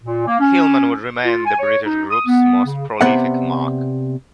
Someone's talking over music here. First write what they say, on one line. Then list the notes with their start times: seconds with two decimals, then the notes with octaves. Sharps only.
Hillman would remain the British group's most prolific marque.
0.03 A#2
0.26 A#3
0.39 C#4
1.24 F4
1.45 G#5
1.58 C#5
1.84 D#4
2.10 D#6
2.27 B3
2.65 C#3
3.01 C3 B3 D5 E5 F#5